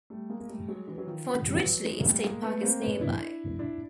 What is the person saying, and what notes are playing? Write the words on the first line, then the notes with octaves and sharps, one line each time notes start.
Fort Ridgely State Park is nearby.
G3 A3
G#3 A#3
A#3
G3 A3
F#3 G#3
E3 F#3
F#3
D#3 F3
D#3 F3
G3
E3 F#3
F#3 G#3
A#3
G3 A3
G#3 A#3
A3 B3
A#3 C4
B3 C#4
D4 E4
D4 E4